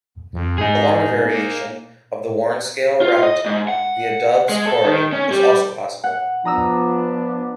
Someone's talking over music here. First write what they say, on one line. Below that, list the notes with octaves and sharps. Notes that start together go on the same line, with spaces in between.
A longer variation of the Warnscale route via Dubs Quarry is also possible.
F2
G#2 D#4 G#4
A#3
F4
D#5
G#2
F#5
G#3
A4
D#3
C#4
G3
F#5
F3 B3 D4 A#5 D#6 E6